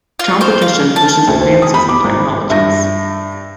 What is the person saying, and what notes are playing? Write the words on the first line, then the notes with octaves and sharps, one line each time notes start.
Competition pushes advances in technologies.
F4
C5
F5
A5
D2
C5
D#6
B5
D6
G#1
G2 E5 A#6